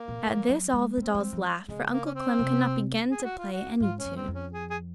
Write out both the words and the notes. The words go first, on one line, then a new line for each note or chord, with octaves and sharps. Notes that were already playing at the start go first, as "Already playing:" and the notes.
At this all the dolls laughed, for Uncle Clem could not begin to play any tune.
Already playing: A#3
A#2
F3
F#3
G#3
A#3 C4
G#3
F3
C#3 G#3
A#3
C#4
C4
C3
G#4
F#4
F4
F#4
G#2 F4
C#4
F#2
C4
F2
C#4
G#4
G#4